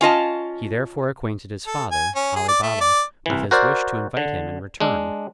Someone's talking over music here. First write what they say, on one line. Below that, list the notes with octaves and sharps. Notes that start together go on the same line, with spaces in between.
He therefore acquainted his father, Ali Baba, with his wish to invite him in return.
C#4 F4 D#5 A5
A4
G#5
C#4
G#4
D5
A3
D5
C2 E3
F#4 A#4 C5 D5
D3
G#3 D4